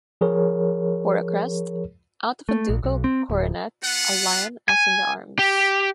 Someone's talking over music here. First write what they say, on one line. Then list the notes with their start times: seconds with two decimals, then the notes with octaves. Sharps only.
For a crest: out of a ducal coronet a lion as in the arms.
0.21 F3 G#4 A#4 C#5
2.49 A3
2.69 A#1
2.84 B1
3.04 C4
3.30 D1
3.83 B3 F4 F#5
4.69 G#5
5.39 G4